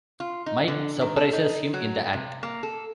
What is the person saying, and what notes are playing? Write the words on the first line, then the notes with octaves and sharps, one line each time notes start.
Mike surprises him in the act.
F4
D#4
D3
D#3
A4
D#4
F#3
C3
A#3
A4